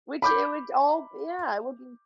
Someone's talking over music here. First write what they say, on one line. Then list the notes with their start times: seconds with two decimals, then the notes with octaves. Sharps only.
Which it would all yeah. It would be
0.22 B5 D6 G6